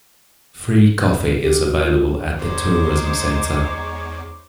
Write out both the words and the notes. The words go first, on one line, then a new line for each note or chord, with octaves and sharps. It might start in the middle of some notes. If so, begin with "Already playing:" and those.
Free coffee is available at the tourism center.
G4
F#4
F4
E2 G#3 D#4 C5 C#5 D6